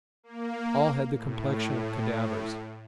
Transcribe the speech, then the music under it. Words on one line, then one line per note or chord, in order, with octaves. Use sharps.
All had the complexion of cadavers.
A#3
A2